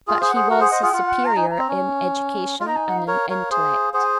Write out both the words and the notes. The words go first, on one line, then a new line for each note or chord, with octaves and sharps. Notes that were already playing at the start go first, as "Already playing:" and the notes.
But he was his superior in education and in intellect.
F4 G#4 F5
G#4 C5 F5
F#5
G#4 C5
F#4 A#4
G#4 C5
C5 D#5
F4 G#4
F4
A#5
D#4 G#5
A#5
C4
C#4
F4
D#4 A#5
G#5
F#5
F5
A#4 C#5
A#4 C#5
G#4 C5
G#4 C5 F#5
G#5